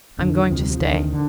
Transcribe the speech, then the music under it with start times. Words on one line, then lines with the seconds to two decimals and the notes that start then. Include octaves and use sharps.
"I'm going to stay."
0.19 F2 D3
0.35 D#3
0.49 D2 C3 F3
0.60 G3
0.70 F3
0.80 D2 D3 D#3
1.13 D3